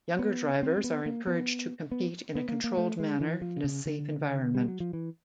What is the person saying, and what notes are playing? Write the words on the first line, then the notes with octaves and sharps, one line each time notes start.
Younger drivers are encouraged to compete in a controlled manner in a safe environment.
B3
C4
C4
B3
A#3
B3
B3
B3
A#3
A#3
A3
G#3
E3
F3
C#3
D3
G3
F#3
F3
E3